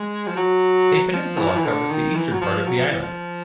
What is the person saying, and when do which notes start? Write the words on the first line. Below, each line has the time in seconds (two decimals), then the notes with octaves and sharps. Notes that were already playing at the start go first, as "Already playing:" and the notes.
A peninsula covers the eastern part of the island.
Already playing: G#3
0.27 F3
0.37 F#3
1.13 F3
1.38 E3
1.48 F3
1.56 E3
1.65 D3
1.90 D#3
2.15 E3
2.32 F#3
2.41 F3
2.66 F#3
2.77 F3
2.89 E3
3.02 F3